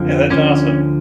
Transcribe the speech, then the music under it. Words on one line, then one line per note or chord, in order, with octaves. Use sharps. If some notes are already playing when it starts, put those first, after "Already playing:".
Yeah, that's awesome.
Already playing: F2 D3 F3
D2 D3 F3 C#4